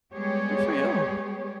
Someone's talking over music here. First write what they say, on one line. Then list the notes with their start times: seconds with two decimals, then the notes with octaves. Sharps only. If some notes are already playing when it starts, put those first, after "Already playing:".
Good for you.
0.14 G3 G#3 B3 G4 G#4 C#5